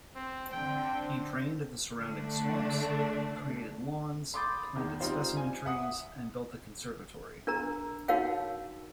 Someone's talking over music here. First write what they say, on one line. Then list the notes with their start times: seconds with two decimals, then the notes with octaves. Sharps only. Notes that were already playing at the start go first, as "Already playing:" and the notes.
He drained the surrounding swamps, created lawns, planted specimen trees, and built the conservatory.
0.15 C4
0.51 D3 C4 G5
1.98 D3 A3 D4
4.34 B5 C6 D6 D#6 G6 A6
4.75 E2 D#3
5.00 G3 C4 D#4 F4 C5 F5
5.37 G#5
5.65 E5 F#5 D#6
7.47 D4 A#4 A#5
8.08 D#4 F#4 A#4 C#5 F5 G5